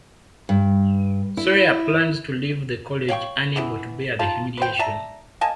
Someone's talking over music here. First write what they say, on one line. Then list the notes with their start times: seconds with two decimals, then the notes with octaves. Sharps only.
Soorya plans to leave the college unable to bear the humiliation.
0.49 G2
1.37 E4
3.09 C#5 F5 G5 C#6
3.56 E3 B3 E4
4.19 D#4 F4 A5
4.57 B4 C5 G5
4.79 D5 E5 A5 A#5
5.41 A#3 D#5 G#5 A5